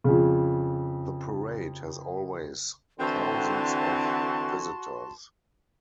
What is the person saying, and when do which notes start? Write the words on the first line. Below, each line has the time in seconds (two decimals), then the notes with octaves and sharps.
The parade has always thousands of visitors.
0.04 F2 C#3
2.99 D3 E3 C4 F#4 A5 C6